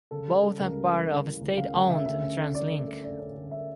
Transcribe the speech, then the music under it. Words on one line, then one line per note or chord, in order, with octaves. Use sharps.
Both are part of state-owned Translink.
C#3 A4
G3
G3
C#2 A#4
G3
G3
C#3
E3
C#2
C#3 F5
C#2 G5
C#3 E5
D2 E5
C#4
D3
D3 D5
A3
A3
D3 D5
C#4
D3
E5